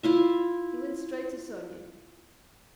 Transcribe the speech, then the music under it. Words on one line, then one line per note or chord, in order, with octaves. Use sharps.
He went straight to Sonia.
E4 F4 E5